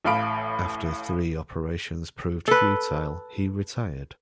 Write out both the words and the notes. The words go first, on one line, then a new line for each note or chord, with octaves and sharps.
After three operations proved futile, he retired.
A1 A2 F5 B5 D7
A4 B4